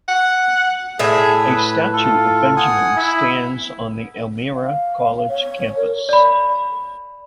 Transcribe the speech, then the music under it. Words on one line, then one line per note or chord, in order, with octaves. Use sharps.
A statue of Benjamin stands on the Elmira College campus.
F#5
A2 G#4 E5
B4
F4 A4
F#5 G#5 D#6
E4 E5
F5
C#5
A#4
D5 B5